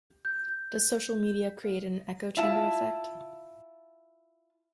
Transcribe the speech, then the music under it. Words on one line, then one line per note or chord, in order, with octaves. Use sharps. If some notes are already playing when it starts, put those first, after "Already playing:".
Does social media create an echo chamber effect?
G6
E4 F4 A5